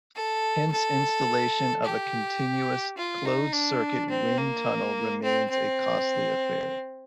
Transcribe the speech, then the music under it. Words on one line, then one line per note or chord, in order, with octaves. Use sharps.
Hence installation of a continuous, closed circuit wind tunnel remains a costly affair.
A4
A4
G4
F4
D#4
D4
C4
A#3
C4
C4